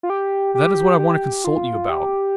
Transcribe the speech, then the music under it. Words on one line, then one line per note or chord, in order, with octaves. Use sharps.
That is what I want to consult you about.
F4
G4
G4
G4
F4
G4